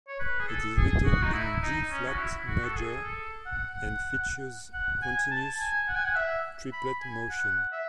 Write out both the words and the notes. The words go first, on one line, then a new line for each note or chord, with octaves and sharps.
It is written in D-flat major, and features continuous triplet motion.
C#5
B4
G#4
A4
G#4
F#4
D#4
E4
D#4
C#4
F#4
E4
F#4
A4
G#4
A4
F#5
F#5
G#5
A5
G#5
F#5
G#5
F#5
E5
B5
G#5
F#5
E5